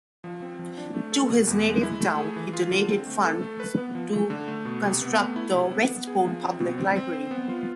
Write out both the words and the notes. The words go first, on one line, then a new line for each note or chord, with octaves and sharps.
To his native town he donated funds to construct the Westport Public Library.
F3
C4
F3
D4
A3
A4
B2
E2
G#3
E4
A3
G#4
E3
F4
D3
C4
A3
A4
A3
B4
B3
F3
A3
D3
A3
B2
C3
B3
A3
E4
C3
B3
B3
G#4
F3
C4
B2
C4
C4
C5
B3
F4